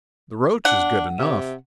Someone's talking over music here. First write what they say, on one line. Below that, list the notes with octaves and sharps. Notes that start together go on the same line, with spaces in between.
The roach is good enough!
D4 F#5
C3